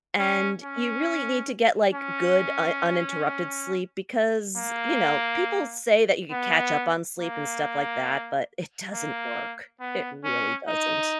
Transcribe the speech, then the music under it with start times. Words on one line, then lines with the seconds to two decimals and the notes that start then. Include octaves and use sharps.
and you really need to get, like, good un uninterrupted sleep because, you know, people say that you could catch up on sleep and stuff like that, but it doesn't work. It really doesn't.
0.19 C#4
0.63 C#4
1.94 C#4
4.57 A#3
6.31 B3
7.19 A#3
8.93 A#3
9.80 B3
10.24 C#4
10.68 D#4